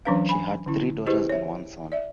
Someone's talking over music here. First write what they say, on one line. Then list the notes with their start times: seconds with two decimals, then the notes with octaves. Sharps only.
She had three daughters and one son.
0.05 E3 F#3 C#4 D4 B4 F5
0.29 G#5 B5
0.66 D3 C#4 E4
1.06 E4 G4 G#4 B4 C5 D#5
1.29 C#5 E5
1.92 D5 E5